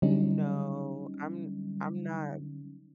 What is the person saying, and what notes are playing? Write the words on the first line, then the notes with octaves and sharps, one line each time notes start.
No, I'm I'm not
D3 F#3 G3 C#4 D#4